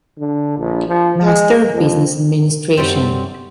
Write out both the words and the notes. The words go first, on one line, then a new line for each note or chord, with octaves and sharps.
Master of Business Administration.
D3
A#1
F3
G#3
F2
F#2 G3 C4